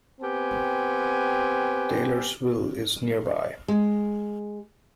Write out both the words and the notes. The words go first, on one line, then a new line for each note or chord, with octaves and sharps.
Taylorsville is nearby.
B3 C4 G4 G#5
G#3